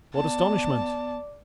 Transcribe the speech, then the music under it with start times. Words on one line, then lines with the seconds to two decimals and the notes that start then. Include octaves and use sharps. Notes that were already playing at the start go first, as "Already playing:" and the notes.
What astonishment!
0.15 B3 D5 A5